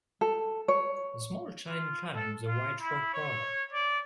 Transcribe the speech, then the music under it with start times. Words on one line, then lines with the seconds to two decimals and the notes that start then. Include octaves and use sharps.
The small child climbs a white rock wall.
0.21 A4
0.68 C#5
1.68 F4
2.16 A4
2.47 F4
2.80 E4
3.14 C#5
3.72 D5